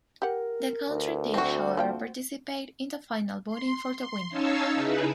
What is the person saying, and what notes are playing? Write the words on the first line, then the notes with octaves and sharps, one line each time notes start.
The country did however participate in the final voting for the winner.
G4 A#4 F#5
D2
C4 F#4
F3 A#3 F5 G5
C6
C6
C#4 D#4 C#5 F5 A5 E6
C#3 D#4 E4 G#4 B4